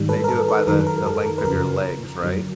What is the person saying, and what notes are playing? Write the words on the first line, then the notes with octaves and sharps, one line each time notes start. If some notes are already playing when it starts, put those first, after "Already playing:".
they do it by the the length of your legs, right?
Already playing: G#2 D#3 G3
A4 B4
A#4
A4
A4
F#2 D#3 F#3 A#4
A#4
A4
A#4
B4
F2 C#3 F3 A#4
F#2 D3 F#3